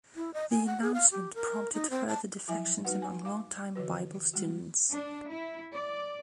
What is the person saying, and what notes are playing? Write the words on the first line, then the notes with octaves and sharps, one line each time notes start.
The announcement prompted further defections among long-time Bible Students.
E4
D#5
G#5
F#5
G#4
F5
G4
A#4
D#4
C4
A5
F3 F#3 E4 E5 G#5
G3 D#4 F#4 B4 F#5
G#5
F5 D6
D3 E3 F#4 B4
G3 G#3 F#4
D4
E4
D5